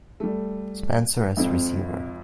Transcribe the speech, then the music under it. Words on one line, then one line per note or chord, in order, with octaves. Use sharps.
Spencer as receiver.
G3 A3
G#1 F2 C4